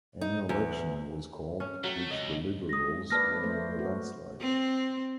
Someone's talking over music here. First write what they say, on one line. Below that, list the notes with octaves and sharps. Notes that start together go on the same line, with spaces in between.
A new election was called, which the Liberals won in a landslide.
D#4
E2
C#4
F#3 A3 G5
C#2 D#5
G#3 D#6 A#6
A#3 B4 D5 A5 F6 A#6
A3 C5
F#4
C4